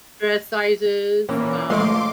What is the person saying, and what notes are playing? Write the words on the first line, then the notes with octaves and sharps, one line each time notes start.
dress sizes, um,
A#2 E3 A#3 C#4
F3 G#3 A3 D#5 F5 C6 D6